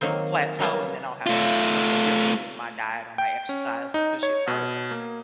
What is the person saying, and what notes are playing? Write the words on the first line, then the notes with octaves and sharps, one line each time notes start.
plateau, and then I'll have to do something different with my diet or my exercise to push it further.
D#3 F#3 A#3 C4
F#3 G3 A#3 B3
A3 F4
G5
C#4
D#4
C#5
B2
A#3